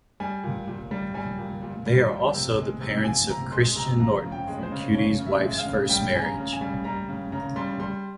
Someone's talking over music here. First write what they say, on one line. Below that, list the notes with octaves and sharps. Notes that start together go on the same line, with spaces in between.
They are also the parents of Christian Norton from Cutie's wife's first marriage.
G3 G#5
A#2
A#2
G3
G3 G#5
A#2
A#2
G3
F3
C3
G#3
C3
F3 G#5
C3 A#5
G#3 C6
C3 A#5
F3 A#5
C#3
G5
G#3
C5
C#3
F3 C#5
C#3
E5
G#3
F5
C#3
G3 G5
C#3 G#5
A#5
C#3
G#5
G3
G3 A#5
C#3
C#3 A#5
G3 C6
G3 C6